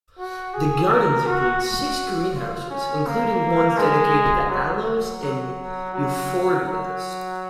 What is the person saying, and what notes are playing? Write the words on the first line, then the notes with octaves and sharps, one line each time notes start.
The gardens include six greenhouses, including ones dedicated to aloes and euphorbias.
F#4
G#4
A#4
F#4
F#4
F4
C#4
A#3
G#3
F#3
F#3
F#3
F#3